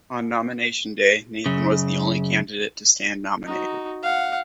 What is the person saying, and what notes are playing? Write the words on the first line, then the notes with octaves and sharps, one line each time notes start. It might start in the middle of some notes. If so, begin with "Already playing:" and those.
On Nomination Day, Nathan was the only candidate to stand nominated.
F#2 C#3
D#4 F#4
F5 F#5